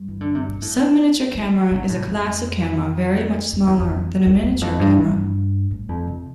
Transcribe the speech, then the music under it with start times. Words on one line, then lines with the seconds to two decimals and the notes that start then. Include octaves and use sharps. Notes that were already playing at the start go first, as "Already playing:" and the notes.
Subminiature camera is a class of camera very much smaller than "miniature camera".
Already playing: G2
0.08 E3
0.21 D3
0.35 C3
0.48 A#2
0.62 A2
1.35 E3
1.71 C3
1.89 A2
2.08 F2
3.52 F2
3.67 E2
3.79 F2
4.26 E2
4.44 E2
4.61 F2
4.80 G2
4.99 G2
5.71 A2
5.89 F2
6.08 C3